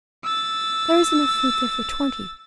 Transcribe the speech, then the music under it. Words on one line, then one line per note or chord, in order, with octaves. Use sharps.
"There is enough food there for twenty."
E6 A6